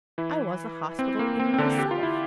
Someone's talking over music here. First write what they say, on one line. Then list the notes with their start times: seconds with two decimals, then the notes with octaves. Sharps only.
I was a hospital in myself.
0.18 E3 E4
0.99 C4
1.19 A#3
1.39 C4
1.54 C4
1.58 D3 D4
1.79 G4
1.91 F4
2.03 E4